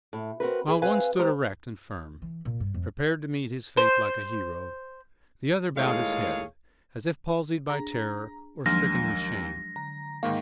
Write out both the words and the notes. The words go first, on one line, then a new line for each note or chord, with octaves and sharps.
While one stood erect and firm, prepared to meet his fate like a hero, the other bowed his head, as if palsied by terror or stricken with shame.
A2
C4 F#4 A#4 B4
G#4 B4
C4 B4 F5 G#5
G#3 G4 C5 A#5
E3
A#2
G2
F2
C5
D#2 A2 G#3 G#4 C#5 F5
D4 G#4 A#5
D#2 F3 F#3 G#3 D4 A#6
D3 A#5
G#2 D#3 A#3 F5 G5 C#6